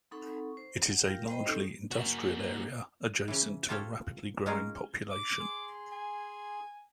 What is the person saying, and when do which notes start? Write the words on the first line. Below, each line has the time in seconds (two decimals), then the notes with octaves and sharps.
It is a largely industrial area adjacent to a rapidly growing population.
0.11 C4 D#4 A4 F#5 B5 C#6
0.57 C5
0.86 F#5
1.05 F4 G4 A#4 F5 G5
1.28 G3 C5 D#5 G5 B5
1.44 C4 C#4 D#4 G4 A4
1.91 A#3 F#4
3.28 C#3 E3
3.68 F4 G4 A4 C5 C#5 F5
4.46 G#3 C#4 D#4 F4 G#4 A#4
5.11 D6
5.40 G#4 C6
5.92 G#5